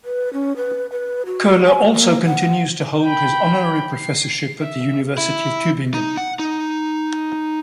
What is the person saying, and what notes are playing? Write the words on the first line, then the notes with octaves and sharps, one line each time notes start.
Köhler also continues to hold his honorary professorship at the University of Tübingen..
B4
C#4
B4
B4
F#4
G#5
A#3
F#5
G5 B5
C7
E5
E4
D#4
F#5
D#4